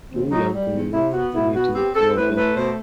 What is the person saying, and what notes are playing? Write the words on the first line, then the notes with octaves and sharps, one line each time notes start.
Two young women knitting clothing.
D#2 C4
F#3 D#4
G3
E2
C3 E4
B3 F#4
B2 E4
B3 F#4
C4 G4
C4 A4
A2 B4
A3 B4
B2 C5